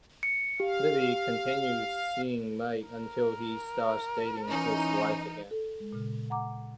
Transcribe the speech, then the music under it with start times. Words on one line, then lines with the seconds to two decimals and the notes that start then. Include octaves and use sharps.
Libby continues seeing Mike until he starts dating his wife again.
0.23 C#7
0.60 G4 F5
2.87 A#4
4.50 E3 C#4 D#4
5.51 A4
5.80 G#3
5.93 A#2 C#3
6.30 F#5 A#5 D6